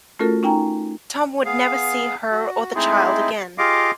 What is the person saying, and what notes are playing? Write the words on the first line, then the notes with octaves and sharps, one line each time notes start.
Tom would never see her or the child again.
A3 C#4 F4 F#4 A4 A#4
C#4 D#4 G5 G#5 A#5
B3 G#4 F5
F#4
G#3 A3 C4 D#4 E4 G#4
F4 G4 G#4 D#5 F5 D6